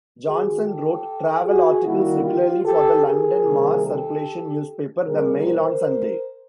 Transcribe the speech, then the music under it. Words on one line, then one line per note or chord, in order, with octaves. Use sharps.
Johnson wrote travel articles regularly for the London mass-circulation newspaper "The Mail on Sunday".
D#3 G#3 F#4 G#4
G4 A4
F#4 G#4
D#3 G3 A#3 E4 F#4
F4 G4
G4 A4
G#4 A#4
C3 D#3 G3 A#3
G4 A4
B2 G3 A#3 G#4 A#4
A#4 C5